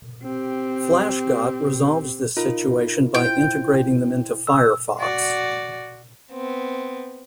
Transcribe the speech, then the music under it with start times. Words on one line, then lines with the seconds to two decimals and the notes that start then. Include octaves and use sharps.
FlashGot resolves this situation by integrating them into Firefox.
0.23 C4 G4
2.37 D#4 F4 A#4
3.14 E4 C5 G5
4.47 E6
4.99 F#4 D5
6.32 B3 C4